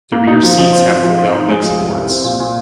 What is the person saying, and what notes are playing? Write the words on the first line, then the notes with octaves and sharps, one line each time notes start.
The rear seats have fold out leg supports.
A#3
D#4
F3
F3
C4
F3
F3
C4
D#4
G#3
F3
C2
C2
C4
A#2
A#2